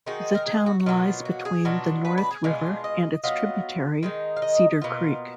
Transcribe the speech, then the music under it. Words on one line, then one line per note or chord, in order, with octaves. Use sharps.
The town lies between the North River and its tributary, Cedar Creek.
D#3 G#3 D#4 F#4
A#4
G#4
F#4
F#4
B2 F#3 A#3 F4
F#4
G#4
B2 F#3 D4 F4
B4
B4
G#4
B2 G#3 D4 F4
D#5
F#3 B3 F4 D#5
D#3 G#3 D#4
F5
D#5
B2 A#3 F4